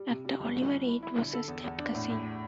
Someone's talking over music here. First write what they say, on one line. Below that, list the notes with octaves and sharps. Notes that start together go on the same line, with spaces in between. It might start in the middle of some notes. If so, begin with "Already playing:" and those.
Actor Oliver Reed was a step-cousin.
Already playing: G3
C3
G3
G1
G1
G1
E4
E4
D3
A4
E2
E2
D4
A2
A2